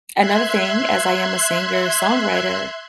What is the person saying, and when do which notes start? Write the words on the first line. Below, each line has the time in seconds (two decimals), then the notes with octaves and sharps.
another thing, as I am a singer-songwriter,
0.19 E5 C6 F#6 G#6